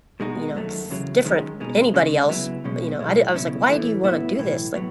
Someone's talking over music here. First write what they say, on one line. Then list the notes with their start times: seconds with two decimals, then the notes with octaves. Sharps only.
you know, s different, anybody else. But, you know, I di I was like, "Why do you wanna do this?" Like
0.20 B2 G#3 D#4 F#4
0.56 F#2 D#3 F#3 A3
0.90 E2 C#3 F#3
1.24 F#2 D#3 G#3 C#4
1.60 B2 G#3 D#4
1.94 C#3 G#3 C#4
2.29 C#3 F#3 B3 E4
2.64 B1 B2 G#3 C#4
2.99 B1 A2 G#3
3.34 C#2 B2 F#3 C#4 E4
3.69 A2 E3 A3
4.04 A2 F#3 B3 E4
4.39 B1 A2 E3
4.74 A2 F#3 B3